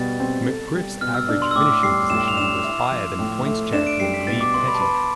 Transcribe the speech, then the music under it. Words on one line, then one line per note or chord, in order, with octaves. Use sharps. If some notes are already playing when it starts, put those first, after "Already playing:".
McGriff's average finishing position was higher than points champion Lee Petty.
Already playing: B2 G3 A6
C4
A4
G3
B2 F6
E6
D4
C6
E6
A2 D6
G3 C7
A2 E7
F7
D4 E7
E4
F3
A2
A3
D4 E7
D7
G3 C7
B6
B2 A6
D6
B3 C6
B5
A5
B4 B5